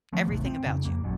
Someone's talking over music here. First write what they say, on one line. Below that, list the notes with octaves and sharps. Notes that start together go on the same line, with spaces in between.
everything about you.
D#3 F3 A3 B3
D1 G#1 C3
C4
F2 C#3
F2 A#3
D1 A1 F#2 A#2